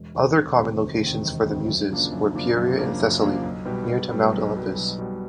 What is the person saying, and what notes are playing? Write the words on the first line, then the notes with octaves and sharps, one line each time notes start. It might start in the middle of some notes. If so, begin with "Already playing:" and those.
Other common locations for the Muses were Pieria in Thessaly, near to Mount Olympus.
Already playing: E1
D2 C3 D#3
E1
D2 C3 D#3
E1
D2 C3 D#3
E1
D2 C3 D#3
F#2
C#3 F3 A#3 D4
F#2
C#3 F3 A#3 D4
F#2
C#3 F3 A#3 D4
F#2
C#3 F3 A#3 D4
B1
B2 G3 B3
B1
B2 G3 B3
B1
B2 G3 B3
B1
B2 G3 B3